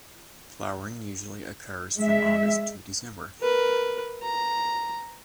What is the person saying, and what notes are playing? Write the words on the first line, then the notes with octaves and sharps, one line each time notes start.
Flowering usually occurs from August to December.
G#3 E5
A#4 B4
A#5